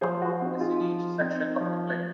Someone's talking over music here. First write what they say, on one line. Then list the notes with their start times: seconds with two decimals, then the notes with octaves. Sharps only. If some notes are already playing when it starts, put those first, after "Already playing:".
One row is in each section of the plane.
0.01 F3 G#4 C5
0.22 F#4
0.41 C4 F#4
0.45 D#4
0.60 F4 G#4
0.81 F3
1.20 C4 D#4
1.60 F3